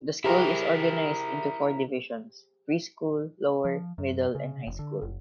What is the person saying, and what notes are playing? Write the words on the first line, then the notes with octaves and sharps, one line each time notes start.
The school is organized into four divisions: preschool, lower, middle and high school.
E4 G4 G#4 A#4 C5
F3
F#2
C#3
F1
D3
F#1